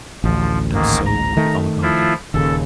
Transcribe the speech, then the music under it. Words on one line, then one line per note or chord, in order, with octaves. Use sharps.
And so with the Oligarchy.
A1 D2 F3
G#2 D#3 A#3
A#5
D#3 A3
F3 E4 F4
D#1 D#2 C#3 A4